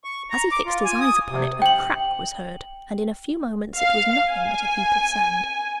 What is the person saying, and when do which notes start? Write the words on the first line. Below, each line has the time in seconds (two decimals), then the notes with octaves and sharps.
As he fixed his eyes upon it a crack was heard, and in a few moments it was nothing but a heap of sand.
0.04 C#6
0.30 A#5
0.52 D6
0.66 F4
0.85 G#5
1.00 D#6
1.29 C3
1.62 G5 F#7
3.76 F5
4.30 G#5